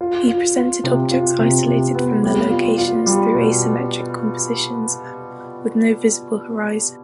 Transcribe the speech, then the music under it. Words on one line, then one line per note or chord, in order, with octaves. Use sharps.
He presented objects isolated from their locations through asymmetric compositions with no visible horizon.
F4
F4
F4
C3
F4
C3
C3
B3
G3
F4
F4
G3
B2